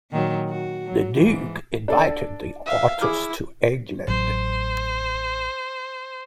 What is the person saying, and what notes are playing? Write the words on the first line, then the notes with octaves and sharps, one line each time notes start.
The Duke invited the artist to England.
A#2 D#3 F#3
F#4
F#3
G#2 E3
D4 A4 D5
E5 F5
E4 G#4 D6 F6
A1 F#3 C5